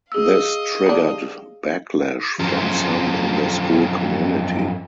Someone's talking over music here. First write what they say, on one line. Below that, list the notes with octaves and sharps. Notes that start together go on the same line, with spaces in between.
This triggered backlash from some in the school community.
G#4 D#5 F5 E6
G3 D4
F#2 F3